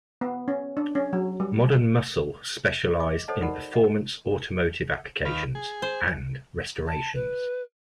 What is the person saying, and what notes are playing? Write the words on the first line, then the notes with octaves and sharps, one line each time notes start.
Modern Muscle specialized in performance automotive applications, and restorations.
B3
C#4
D4
C#4
F#3
G3
D#5 D6
A4 C5 C#5 D#5 F#5 A5
D#4 G4 A#4 D5 F#5 B5
D#5 F#5
D#2 B4 F5
G#4
C5
A5
B4